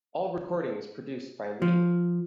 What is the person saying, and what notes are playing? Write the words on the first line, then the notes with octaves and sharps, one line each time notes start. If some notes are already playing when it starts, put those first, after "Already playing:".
All recordings produced by Lee.
F3